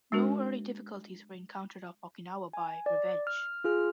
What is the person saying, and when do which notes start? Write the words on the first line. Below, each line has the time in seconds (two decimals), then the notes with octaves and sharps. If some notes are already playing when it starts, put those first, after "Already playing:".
No early difficulties were encountered off Okinawa by "Revenge".
0.12 G#3 D4 F#4 A#4
2.53 G#5
2.86 D5
3.27 F6
3.64 F4 G#4 F6